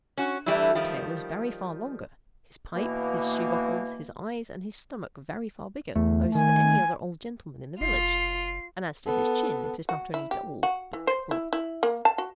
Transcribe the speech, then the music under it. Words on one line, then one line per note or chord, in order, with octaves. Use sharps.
His coat-tail is very far longer--his pipe, his shoe--buckles, his eyes, and his stomach, very far bigger--than those of any other old gentleman in the village; and as to his chin, it is not only double, but triple.
C#4 F#4
E3 G3 A3 D4 E4
D#3 F3 G3
B2 E3 A#3
E2 A3
D#3 G#5
F#1 F4 C7
B3 A4
F#4
E4
G4
F#4
E3
C5
E4
E4
A#3
A5
F#4